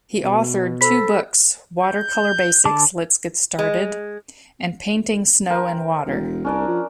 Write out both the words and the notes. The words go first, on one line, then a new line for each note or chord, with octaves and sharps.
He authored two books, "Watercolour Basics: Let's Get Started" and "Painting Snow and Water".
B2
A4 C5 B5 B6
G6
D3 A5 D6
G#3
A#4 C5 G5
E1
C2 C#4 D4 A#4
F3